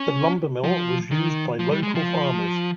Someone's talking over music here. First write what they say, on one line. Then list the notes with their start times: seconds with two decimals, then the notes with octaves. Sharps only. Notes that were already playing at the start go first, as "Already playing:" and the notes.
The lumbermill was used by local farmers.
Already playing: C#4
0.64 F3
1.11 D#3
1.59 F3
1.71 G3
1.83 G#3
1.95 F3